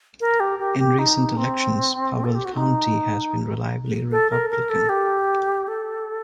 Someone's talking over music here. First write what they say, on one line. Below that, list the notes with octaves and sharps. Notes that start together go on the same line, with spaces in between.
In recent elections, Powell County has been reliably Republican.
A#4
G4
G4
G4
D#4
C4
A4
G4
F#4
D#4
A4
A#4
A#4
A4
G4
A4